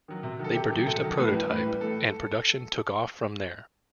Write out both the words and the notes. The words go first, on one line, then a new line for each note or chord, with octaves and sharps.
They produced a prototype and production took off from there.
D#3 F#3
C3
D#3 F#3
A4
C3 G4
D#3 F#3
C3 A4
D#3 F#3
A2 B4
E3 G3
A2 B4
E3 G3
A2 A4